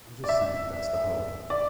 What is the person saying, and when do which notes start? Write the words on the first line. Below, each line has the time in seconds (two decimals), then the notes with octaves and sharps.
I'm just saying that's the hope.
0.24 D5
0.29 E5
1.50 D5